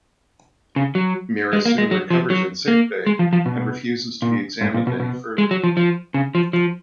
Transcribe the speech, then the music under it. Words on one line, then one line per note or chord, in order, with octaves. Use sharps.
Mira soon recovers in sickbay and refuses to be examined any further.
C#3
F#3
G#3
A#3
G#3
F#3
F3
F#3
A#3
G#3
F3
F3
B2
A#2
G#2
A#2
B2
B2
G#3
F#3
F3
F3
C#3
F3
F3